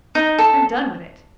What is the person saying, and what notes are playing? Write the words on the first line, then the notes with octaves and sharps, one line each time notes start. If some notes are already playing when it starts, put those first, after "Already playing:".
I'm done with it.
D#4
A4